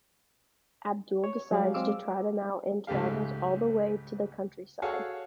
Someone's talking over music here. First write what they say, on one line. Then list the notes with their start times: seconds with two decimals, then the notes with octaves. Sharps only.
Abdul decides to try them out and travels all the way to the countryside.
1.24 C#5
1.51 F#3 G#3 G4 G#4 D5 F5
1.74 G#3 C4 F5 D6 E6
2.87 C#2 G#2 A3 G4 F5
4.82 F#4 G#4 A4 C#5 F5 F#5